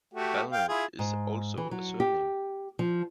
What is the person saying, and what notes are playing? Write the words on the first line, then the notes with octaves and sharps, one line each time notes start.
Balne is also a surname.
A3 F#4 G4
F5 G5
E4 F4 G#4
G#2
E3
F#3
G4
F3